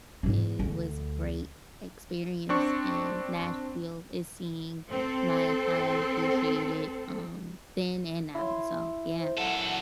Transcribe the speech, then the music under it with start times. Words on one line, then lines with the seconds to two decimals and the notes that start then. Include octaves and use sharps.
it was great experience in Nashville is seeing my talent appreciated, um, then and now, so, yeah.
0.23 G#2 D4
0.59 D2
2.49 C4 D4 C#6
4.90 C4 A4
8.35 E4 C6
9.20 C5
9.37 F#2 A4 F#5